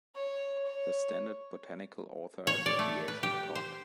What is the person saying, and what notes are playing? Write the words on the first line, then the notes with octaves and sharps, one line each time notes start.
The standard botanical author abbreviation Tod.
C#5
C#5
C#5
D5
A3
B4
G4
C5